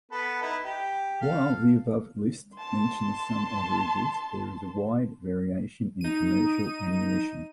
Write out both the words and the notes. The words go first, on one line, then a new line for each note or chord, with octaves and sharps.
While the above list mentions some averages, there is wide variation in commercial ammunition.
B3 A4 B4
D#4 E4 B4
G4
A4 F5
A5 C6
D#4 D#7